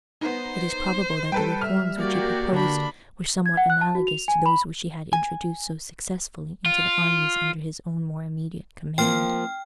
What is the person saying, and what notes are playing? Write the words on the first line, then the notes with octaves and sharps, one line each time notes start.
It is probable that the reforms which he proposed were somewhat analogous to those which he had introduced so successfully into the armies under his own more immediate command.
B3 D#4 C5
G3 A4 B4 G5
G3 E5 F6
A#3 F#4 G4 D5
D3 D4 B5
G#6
F#5
F#6
A5
F#4
F7
G#5
B5
G#5
F4
F3 A#3 C4 G5 F6